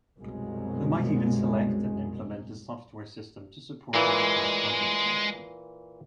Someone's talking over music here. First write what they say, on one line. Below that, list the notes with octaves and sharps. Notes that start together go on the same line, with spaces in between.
They might even select and implement a software system to support Enterprise Project Management.
C2 F#2 B2 G#3
A#2 E3 G#3